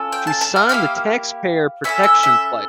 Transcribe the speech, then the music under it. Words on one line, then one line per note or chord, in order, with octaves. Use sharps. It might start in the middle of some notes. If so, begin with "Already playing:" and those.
She signed the Taxpayer Protection Pledge.
Already playing: C#4 F4 A4
G5
A5
A5
F5
A#3 C#4 E4 G4 F5
C#4 E4 A4 E5
E5
E5